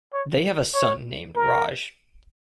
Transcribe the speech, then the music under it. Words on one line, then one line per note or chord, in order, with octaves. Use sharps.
They have a son named Raj.
C#5
C#5
A#4